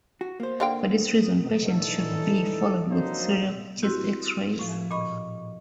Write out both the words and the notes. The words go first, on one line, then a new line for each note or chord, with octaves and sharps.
For this reason, patients should be followed with serial chest X-rays.
F#4
A#3 C5
D3 F5 G5
E3 D4 D#4 A4
F#3 A#3 C4 D4 D#4 C5
C4 E4 F#4 G4
A2 F3
A#2 D#5 B5 C#6